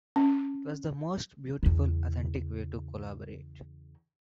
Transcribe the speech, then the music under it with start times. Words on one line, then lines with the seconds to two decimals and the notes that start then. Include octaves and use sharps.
It was the most beautiful, authentic way to collaborate.
0.16 C#4
1.63 E2 C#3